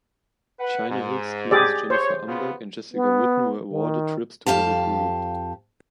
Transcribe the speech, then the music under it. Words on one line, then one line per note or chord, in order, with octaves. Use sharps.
Chino Hills students Jennifer Umberg and Jessica Witten were awarded trips to visit Gulu.
B4 F#5
G#2
G4 G#4 D5
C5 C#5
C#3 B3 F4
B3
D#3
F2 G#2 G4 F5 A5